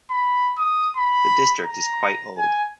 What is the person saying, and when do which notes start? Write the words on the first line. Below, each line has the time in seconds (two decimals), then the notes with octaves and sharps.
The district is quite old.
0.11 B5
0.58 D#6
0.97 B5
1.63 A#5
2.38 G#5